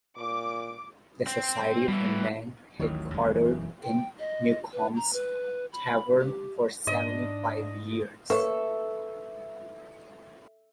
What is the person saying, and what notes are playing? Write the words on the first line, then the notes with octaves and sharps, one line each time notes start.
The society remained headquartered in Newcom's Tavern for seventy-five years.
A#2 D6
C4
B2 E3 G3
A1 D#2 D#3 F#3 C#5
E1 F#2 G#3
E3
G5
D#5
B4
A#5
B4
B5
G4
G#2 D4 D#5
A#3 A4 B4 C#5 E5 C#6